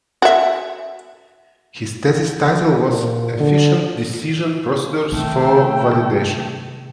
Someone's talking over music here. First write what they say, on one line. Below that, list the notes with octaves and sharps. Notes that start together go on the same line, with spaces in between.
His thesis title was ‘Efficient decision procedures for validation’.
F#4 E5
A#2
D3
C3 D#3 A3 G5